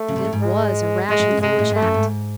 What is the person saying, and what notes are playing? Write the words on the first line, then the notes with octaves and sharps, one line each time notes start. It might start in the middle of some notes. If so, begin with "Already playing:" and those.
And it WAS a rash and foolish act.
Already playing: A3
C#3
C3
A2
G#2
G#3
A2 G#3
A2
C#3
A2
C3 G#3
A2
G#2 A3
F#2
G#2